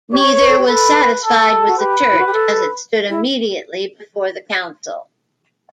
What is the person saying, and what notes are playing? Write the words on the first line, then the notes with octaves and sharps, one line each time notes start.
Neither was satisfied with the Church as it stood immediately before the Council.
G4 C#5
B4
A4
G4
A4 B4
A4
F#4
G4 B4
E4
F#4
G4
A4
E4